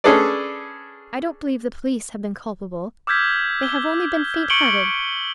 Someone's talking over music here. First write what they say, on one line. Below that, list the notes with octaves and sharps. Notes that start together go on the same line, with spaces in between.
I don't believe the police have been culpable; they have only been faint-hearted.
C#4 D4 G#4 A4 B4 D5
D6 E6 F6 G6 G#6 B6
G7
C#6 C#7 D7 F#7 G7